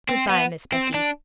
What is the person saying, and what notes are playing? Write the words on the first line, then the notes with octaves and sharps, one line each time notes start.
'Good-bye, Miss Becky.
C4
B3
C4
D4